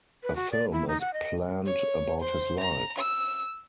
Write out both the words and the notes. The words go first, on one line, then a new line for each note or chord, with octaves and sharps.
A film is planned about his life.
B4
F#4
D5
E4
D#4
F#5
D#5
C#5
C5
A#5
E6